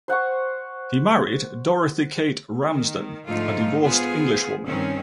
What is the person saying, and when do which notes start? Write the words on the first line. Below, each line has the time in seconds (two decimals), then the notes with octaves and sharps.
He married Dorothy Kate Ramsden, a divorced Englishwoman.
0.08 C5 F#5 C6 C#6
2.67 D#3
3.27 G#2 D3 F3 A3 D#4 F4
3.84 B3 F4 G#4 C5
4.66 G2 D#3 C4 C#4